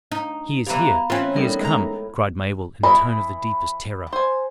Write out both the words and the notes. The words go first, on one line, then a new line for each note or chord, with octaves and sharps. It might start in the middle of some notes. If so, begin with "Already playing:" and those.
"He is here!--he is come!" cried Mabel, in a tone of the deepest terror.
D#4
E3 G3 B3 B4 F5 A#5
E3 C4 C#4 F4
A2 G3 B3 D#4 A#4
G#3 A#5
E3 D#5 B5
C5 G#5